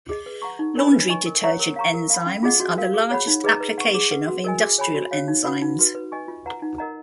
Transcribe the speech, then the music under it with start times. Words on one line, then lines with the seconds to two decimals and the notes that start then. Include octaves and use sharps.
Laundry detergent enzymes are the largest application of industrial enzymes.
0.09 G#4 D#5
0.26 B4
0.42 F#5 A#5 C#6
0.59 D#4
0.75 A#4 C#5 G#5 B5
0.93 B4
1.09 D#5 G#5 C#6
1.26 A#4
1.43 C#5 F#5 A#5 C#6
1.59 A#4
1.76 F5 A#5 C#6
1.94 A#4
2.10 F5 B5
2.26 C#4
2.43 F4 G#4 D#5 F#5
2.60 F#4
2.77 A#4 F5
2.94 G#4
3.11 C#5 F#5 B5
3.27 D#4
3.44 G#4 B4 D#5 A#5
3.61 B4
3.78 F#5 C#6
3.94 G#4
4.11 B4 F#5
4.28 F#4
4.44 A#4 D#5 G#5
4.61 G#4
4.78 C#5 G#5 B5
4.95 F#4
5.11 C#5 F5
5.28 D#4
5.44 F#4 B4 F#5 B5
5.62 D#4
5.79 F#4 B4
5.95 B4
6.12 D#5 G#5 C#6
6.28 F4
6.46 B4 F#5 A#5
6.62 D#4
6.78 A#4 D#5 F#5 A#5